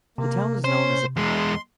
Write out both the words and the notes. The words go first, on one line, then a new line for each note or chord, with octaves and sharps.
The town is known as a balneologic and climatic resort.
C3 A#3
C#4 C5
E2 G#3 C6